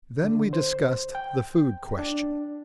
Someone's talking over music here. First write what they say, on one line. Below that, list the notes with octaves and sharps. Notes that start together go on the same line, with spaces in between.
Then we discussed the food question.
D3
C5
G5
D4